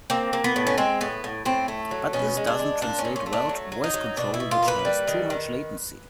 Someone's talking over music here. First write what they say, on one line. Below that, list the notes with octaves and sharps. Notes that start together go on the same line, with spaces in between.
But this doesn't translate well to voice control, which has too much latency.
A#3 C4
A#3
B3
A2
C#4
G#3 C4
A2 B3
A2
A2 C4
A3
F#3
B2 C#4
G#3
D4
G#3
A#2 D4
C#4
A#2
C#4
A3
D4
F#3
F#3
D#4
F#3
B2 D4
E4
B2
F4
A#3
B4
G3
D#3
D#3